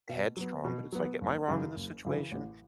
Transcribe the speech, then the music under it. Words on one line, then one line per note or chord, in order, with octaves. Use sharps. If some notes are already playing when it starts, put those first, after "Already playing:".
headstrong, but it's like, am I wrong in this situation?
B2
F#3 B3
B2
F#3 B3
F#1
F#2 C#3 E3
F#1
F#2 C#3 E3
A1